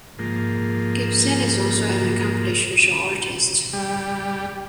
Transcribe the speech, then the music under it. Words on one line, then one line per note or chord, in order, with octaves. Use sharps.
Gibson is also an accomplished visual artist.
G#2 F3 A#3
G3